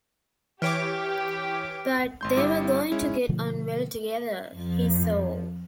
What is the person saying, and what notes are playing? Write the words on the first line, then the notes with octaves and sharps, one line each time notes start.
But they were going to get on well together, he saw.
E3 G4 C#5 D6 F6 B6 D7
G#1 C6 G6
G1 G3 E4 D6 E6 C#7
G#3 C#4 E4
B2 D3 F3 A3
F2 F3